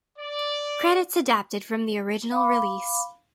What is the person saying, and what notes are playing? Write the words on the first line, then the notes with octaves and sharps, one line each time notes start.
Credits adapted from the original release.
D5
F5 B5 D6